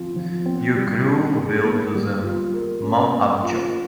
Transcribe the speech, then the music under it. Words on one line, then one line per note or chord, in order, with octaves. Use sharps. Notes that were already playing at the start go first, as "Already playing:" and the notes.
Your crew will do the mop up job.
Already playing: F3 C4 F4
F3
C4
G3
D#4
G#4
A#3
G3
F4
A#4
C#4
A#3
F4